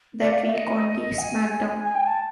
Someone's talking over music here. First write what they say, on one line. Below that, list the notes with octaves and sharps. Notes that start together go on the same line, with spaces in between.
That week, on the SmackDown!
D5
F5
E5
D#5
G#5
G#5
G5
A5